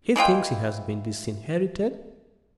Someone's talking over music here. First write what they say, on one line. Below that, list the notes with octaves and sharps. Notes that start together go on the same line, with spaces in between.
"He thinks he has been disinherited?"
E3 G#3 F4 G5